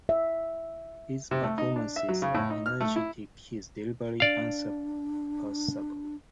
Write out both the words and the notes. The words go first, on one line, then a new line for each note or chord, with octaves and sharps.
His performances are energetic, his delivery unsurpassable.
E5
C3
A3
D#4
D4
E5
F#3
C#3
A2
D#4
F6
A3
E4
D4 D5 F5